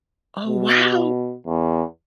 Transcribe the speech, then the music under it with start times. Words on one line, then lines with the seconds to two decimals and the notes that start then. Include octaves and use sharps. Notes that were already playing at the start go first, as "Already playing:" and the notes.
Oh, wow.
0.47 B2
1.46 E2